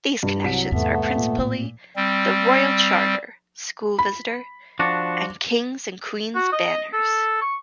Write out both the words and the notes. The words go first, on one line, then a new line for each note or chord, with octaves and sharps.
These connections are principally The Royal Charter, School Visitor, and King's and Queen's Banners.
G2
C2 F#3 B6
E2 G#2 A3 B3
A#2
A2
G3 C4
B5
F3 D4 F#4
F#4
D#5
A4
C#6